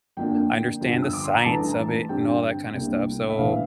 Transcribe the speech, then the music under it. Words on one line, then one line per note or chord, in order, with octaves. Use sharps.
I understand the science of it and all that kinda stuff, so
F2 D3 F3 A#3 D4 G5
G1 G2 F3
E6
D6
C6
A#5
A1 G2 E3 A3 D4 A5
G2 D3 G3 C4 G5
C2 C3 G3 A#3 D4
E5
A#1 A2 E3 F5